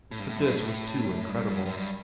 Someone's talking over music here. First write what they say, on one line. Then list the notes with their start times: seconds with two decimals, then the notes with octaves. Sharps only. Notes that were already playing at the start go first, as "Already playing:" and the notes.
But this was too incredible.
0.11 A2
0.20 G2
0.29 A2
0.38 F#2
0.48 G2
0.57 A2
1.29 G2
1.66 F#2
1.77 G2